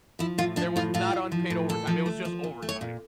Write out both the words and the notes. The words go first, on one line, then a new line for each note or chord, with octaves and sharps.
There was not unpaid overtime, it was just overtime.
F3 E4
A2 F4
F3 D4
A2 F4
A2 F4
A2
F3
A2
A#2 A4
F3
A3
F3
A#2
A3
C#5
A#2